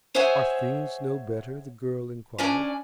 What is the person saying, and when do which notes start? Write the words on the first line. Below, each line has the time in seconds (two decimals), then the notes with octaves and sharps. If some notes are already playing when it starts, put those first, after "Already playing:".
'Are things no better?' the girl inquired.
0.15 G#4 C5 C#5 E5 F#5 G#5
2.38 D2 C#4 D4 D5 G#5